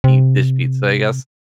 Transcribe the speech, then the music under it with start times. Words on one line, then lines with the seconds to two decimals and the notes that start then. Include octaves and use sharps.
deep dish pizza, I guess,
0.04 C3